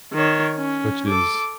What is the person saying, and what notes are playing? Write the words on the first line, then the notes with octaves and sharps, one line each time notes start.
Which is,
D#3 C#5
C#4
A4 D6